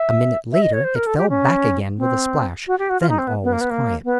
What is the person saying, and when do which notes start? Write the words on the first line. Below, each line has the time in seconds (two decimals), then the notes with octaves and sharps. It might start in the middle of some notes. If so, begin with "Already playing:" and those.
A minute later it fell back again with a splash, then all was quiet.
Already playing: E5
0.52 E5
0.62 D#5
0.73 C#5
0.84 C5
0.95 A#4
1.07 A4
1.18 G4
1.29 C#4
1.98 C4
2.67 F#4
2.79 G4
2.89 F#4
3.01 F4
3.10 D#4
3.18 C4
3.27 B3
3.44 B3
3.53 A#3
3.61 B3
3.70 A#3
4.05 B3